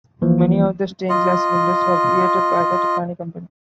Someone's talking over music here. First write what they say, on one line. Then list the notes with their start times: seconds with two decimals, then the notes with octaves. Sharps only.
Many of the stained glass windows were created by the Tiffany Company.
0.21 A1 E3 F3 A#3
1.09 F4 D#5